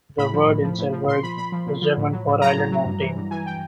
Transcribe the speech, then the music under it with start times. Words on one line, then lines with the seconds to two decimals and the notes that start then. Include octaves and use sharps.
The word "inselberg" is German for "island mountain".
0.18 A2 B5
0.33 F3
0.48 A2
0.63 F3
0.78 A2
0.92 F3
1.08 A#2 C6
1.23 F3 B5
1.37 A#2 B5
1.52 F3
1.67 A#2
1.82 F3
1.97 A2
2.12 F#3
2.27 A2
2.42 F#3 A#5
2.57 A2
2.72 F#3
2.86 G2
3.01 E3
3.16 G2
3.31 E3 G#5
3.46 G5